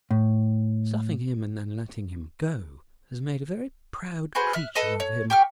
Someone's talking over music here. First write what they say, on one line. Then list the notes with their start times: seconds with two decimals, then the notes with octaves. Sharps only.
Stuffing him and then letting him go has made a very proud creature of him.
0.11 A2
4.35 F#4 G#4 B4 C5
4.53 E5 F6 F#6
4.75 A4 B4 D#5
5.00 C#5
5.30 G4 G5 C#6 F6